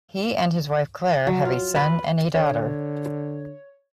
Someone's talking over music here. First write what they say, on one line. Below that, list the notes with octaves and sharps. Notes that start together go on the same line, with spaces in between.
He and his wife Clare have a son and a daughter.
F#3
F4
B4
D3 C#5